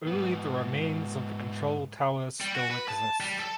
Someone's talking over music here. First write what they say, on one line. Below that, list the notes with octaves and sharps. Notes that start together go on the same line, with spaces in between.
Only the remains of the control tower still exist.
G#2 B3
G3
F#4
B4
A5
G3
A4